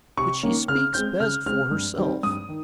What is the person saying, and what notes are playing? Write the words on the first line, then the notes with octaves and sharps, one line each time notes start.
But she speaks best for herself.
C3 C#6
D#3 A#3 C#4
C#3 F6
G#3 C4 G6
C#3 F6
G#3 C4 F6
G2
D#3 G3 C4
G2 D#6
D#3